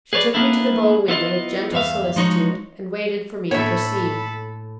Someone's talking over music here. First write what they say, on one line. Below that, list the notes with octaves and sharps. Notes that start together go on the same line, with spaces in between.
She took me to the bow-window with gentle solicitude, and waited for me to proceed.
G#4 B4 C#5 D5
A#3 B3 D4 E4 A4
B3 E4 F4 D#5
E2 G2 E5 F5
F3 G#3 D#4 F#4 C#5
A2 A#3 B3 D4 A4 C#5 E5 B5